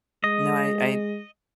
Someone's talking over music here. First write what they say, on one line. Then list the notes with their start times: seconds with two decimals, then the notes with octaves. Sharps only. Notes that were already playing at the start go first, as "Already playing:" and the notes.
No, I I
0.24 G#3 D#5